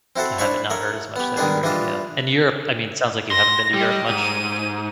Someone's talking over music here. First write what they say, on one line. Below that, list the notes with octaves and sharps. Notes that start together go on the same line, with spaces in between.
to have it not hurt as much, that'd be great, yeah. And Europe I mean, sounds like you haven't been to Europe much?
C4 E4 F#4 A4 C5
D4 E4 C5 C#5 B5 C#6
A3 A#4 C#5
B3 G4
D#3 G3 G#3 B3 D4 G#4
E3 G3 D4 F4 D#5
C6 A#6
G3 G4 D#5
G#2 D#7